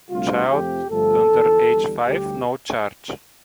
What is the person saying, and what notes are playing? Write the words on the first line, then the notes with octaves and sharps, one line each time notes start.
Child under age five: no charge.
D2 C3 G3 F4
F2 C3 F3 A3 G4
G1 G2 F3 A3 A4
E2 D3 F3
E2 D3 G3
D2 D3 G3 G4